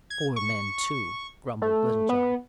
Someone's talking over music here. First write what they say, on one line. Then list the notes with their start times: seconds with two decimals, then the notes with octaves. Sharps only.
"Poor men, too," grumbled Little John.
0.10 G#6
0.36 C#6
1.62 A3
2.09 B3